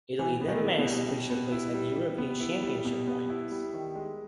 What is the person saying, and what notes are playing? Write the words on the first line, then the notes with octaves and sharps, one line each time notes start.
Italy then managed to clinch their place at the European Championship finals.
E3 G3
B3
D#3
E4
B2
G3
G3
B3
E4
G3
G3
B3
E4
G3
B2 G3
B3
E4
G3
D#3
G#3